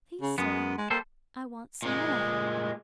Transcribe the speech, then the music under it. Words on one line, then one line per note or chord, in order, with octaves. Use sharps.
'Please, sir, I want some more.'
C#3
F#2 G#3 B3
G#3
G3 A#3 A4 C5
A#2 G#3